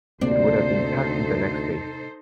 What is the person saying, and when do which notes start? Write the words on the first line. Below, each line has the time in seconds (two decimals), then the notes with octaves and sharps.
It would have been packed the next day.
0.21 D2 C3 A#3 C4 D4 D#4 A4 C5